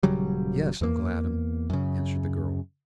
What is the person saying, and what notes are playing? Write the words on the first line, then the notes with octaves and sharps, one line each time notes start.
"Yes, Uncle Adam," answered the girl.
D#1 C#3 F#3 G3
E2 A#3
F#2 C#3